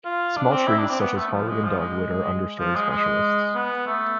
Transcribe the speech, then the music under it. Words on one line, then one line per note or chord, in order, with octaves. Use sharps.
Small trees such as holly and dogwood are understory specialists.
F4
D4
C4
E4
D4
C4
B3
A3
F3
G#3
F3
G#3
F3
G#3
G#3
B3
A3